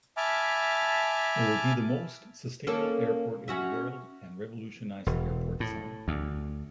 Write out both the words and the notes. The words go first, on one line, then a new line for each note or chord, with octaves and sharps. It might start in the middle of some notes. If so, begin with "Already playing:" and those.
It will be the most sustainable airport in the world and revolutionize airport design.
E5 G#5 A5 B5 D6 F6
A#3 C#4 A4
C#4 F#4 E5
E1
A2
D2